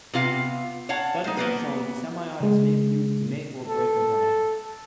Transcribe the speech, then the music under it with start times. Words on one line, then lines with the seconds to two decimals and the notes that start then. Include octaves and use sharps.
Studies have shown that semiotics may be used to make or break a brand.
0.13 C3 B3 F4 F5
0.89 C#5 F5 F#5 A5
1.24 D#4 C5
1.37 A#3 B3 B4
2.40 C#3 G#3
3.68 A4